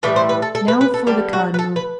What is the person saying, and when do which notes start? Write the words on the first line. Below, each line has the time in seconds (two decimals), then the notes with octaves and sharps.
Now for the Cardinal.
0.03 A2 E3 G3 B4
0.16 C5
0.29 B4
0.42 A4
0.55 A4
0.68 B4
0.81 B4
0.94 A4
1.07 D3 G3 G4
1.33 F#4
1.54 B4
1.59 A4
1.76 B4